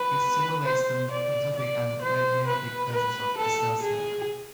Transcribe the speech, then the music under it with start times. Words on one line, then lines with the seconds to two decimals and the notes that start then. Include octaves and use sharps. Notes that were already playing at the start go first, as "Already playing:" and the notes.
It stimulates the mitotic and meiotic phases of the cell cycle.
Already playing: B4
0.66 C5
1.11 D5
1.56 D5
2.02 C5
2.47 B4
2.92 B4
3.38 A4
3.83 G#4